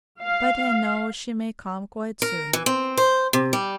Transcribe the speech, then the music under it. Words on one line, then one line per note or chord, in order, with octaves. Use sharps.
But I know she may come quite soon.
F5
A#4
E3
C4
C5
C3
G3